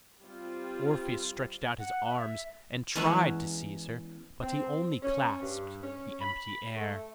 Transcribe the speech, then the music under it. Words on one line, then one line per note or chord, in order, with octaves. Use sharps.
Orpheus stretched out his arms and tried to seize her, but he only clasped the empty air.
G3 C4 F4
F#5
E5
E2 G#3 C#4 C#5 E5 F#5
C4
C#4
G2
C#4
B5
A3